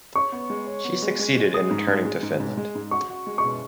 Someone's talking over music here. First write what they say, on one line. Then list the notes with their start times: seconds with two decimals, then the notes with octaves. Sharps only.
She succeeded in returning to Finland.
0.15 C#5 C#6
0.32 B3
0.50 G#3
0.67 C#5
0.84 B3
1.02 G#3
1.19 G#3
1.37 G#3
1.53 G#3 D#6
1.71 G#2
1.88 G#2
2.05 G#3
2.23 G#2
2.40 G#2
2.57 G#3
2.75 G#2
2.91 F#4 C#6
3.10 F#4
3.27 G#3
3.38 C#6
3.44 B2